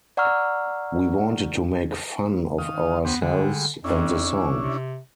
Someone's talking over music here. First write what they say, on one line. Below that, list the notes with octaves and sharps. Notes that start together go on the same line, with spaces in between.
We wanted to make fun of ourselves and the song.
D5 F#5 A#5 C#6 E6 F6
D#3 F5 D#6
D2 B3 G4 C5
D3 G3 G#3
F2 C#4 D4 E4
C3